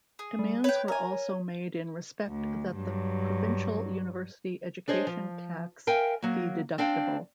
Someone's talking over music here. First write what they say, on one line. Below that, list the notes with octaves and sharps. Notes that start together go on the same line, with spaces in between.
Demands were also made in respect that the provincial university education tax be deductible.
G#4
G3
B4 C#5 G5
A#4 G#5
D2
G2 F#3
D4 G#4 C5 C#5 D#5
F3
A#4 E5 F5 G5 G#5
F#3 A#3
C4 D4 F5 G5